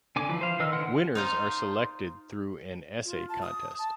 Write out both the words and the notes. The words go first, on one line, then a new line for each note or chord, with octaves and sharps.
Winners are selected through an essay contest.
D3 G#5 D6
E3 F3 B4
C5 F5
D#3 B4 D#5 E6 F6
D3 D#3 E4 F#5 C6
D#4 F4 C5
F4
A5
D#6
A5